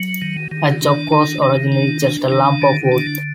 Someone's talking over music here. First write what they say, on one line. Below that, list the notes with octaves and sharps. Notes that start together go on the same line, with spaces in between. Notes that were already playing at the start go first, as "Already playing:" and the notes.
A "chock" was originally just a lump of wood.
Already playing: F#3
D#3
D#3
D4
D#3
D#3
D4
D4
D#3
D3
D4